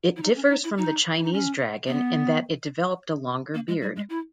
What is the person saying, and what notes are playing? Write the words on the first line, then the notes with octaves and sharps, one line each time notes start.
It differs from the Chinese dragon in that it developed a longer beard.
E4
D#4
C#4
D#4
E4
D#4
E4
D#4
C#4
B3
A#3
G#3
G3
G#3
E4